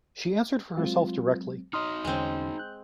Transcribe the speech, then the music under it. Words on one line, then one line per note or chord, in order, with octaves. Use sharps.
She answered for herself directly.
F#3 G#3 C4 F4
D#4 F#4 D#5 C6 D#6 F6
E2 D3 G#3 C4 C#4
F#6 G6